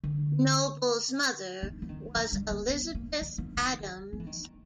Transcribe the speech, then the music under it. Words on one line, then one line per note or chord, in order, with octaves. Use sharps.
Noble's mother was Elizabeth Adams.
D3
D#3
E3
D#3
F3
G3
A#3
B3
A#3
F3
E3
D#3
F3
E3
D#3